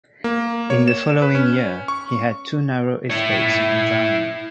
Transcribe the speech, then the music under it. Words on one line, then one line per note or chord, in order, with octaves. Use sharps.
In the following year, he had two narrow escapes from drowning.
A#3
C#5
E7
B4
C#4
C#6
E4 C#5